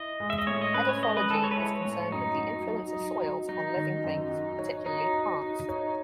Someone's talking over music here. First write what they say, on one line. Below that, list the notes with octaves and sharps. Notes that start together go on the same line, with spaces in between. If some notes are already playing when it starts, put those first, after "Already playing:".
Edaphology is concerned with the influence of soils on living things, particularly plants.
Already playing: E4 D#5
G#3
E5
D#5
A2 C#5
D#5
C#4 B4
C#5
G#3 D#5
B4
G#3 A4
C#5
B4
E4 C#5
A2
F#2 D#4
F#3
F#3
F#3
F#3
F#3 D#4
D#3
F#2
F#4
C#5
D#4 F#4
F#4
F#4
C#5